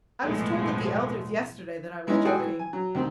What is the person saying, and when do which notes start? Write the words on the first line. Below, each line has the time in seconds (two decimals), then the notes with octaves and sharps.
I was told at the elder's yesterday that I was joking.
0.22 B1 E2 A2 F3 G#3 A3
2.07 E3 G#3 B3 C#4 D#4 E4
2.25 F#4 G#4 A4 F#5 G5 A5
2.40 E3
2.59 G#5
2.73 F#3
2.95 D2 C3 D#3 C4